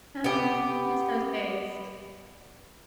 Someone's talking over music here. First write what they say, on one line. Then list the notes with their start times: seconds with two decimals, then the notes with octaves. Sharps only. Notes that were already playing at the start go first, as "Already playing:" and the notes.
Um, miss those days.
0.24 B3 G4